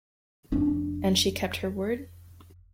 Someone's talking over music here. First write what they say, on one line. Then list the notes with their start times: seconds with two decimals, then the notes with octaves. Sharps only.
And she kept her word?
0.52 F1 C#4 D4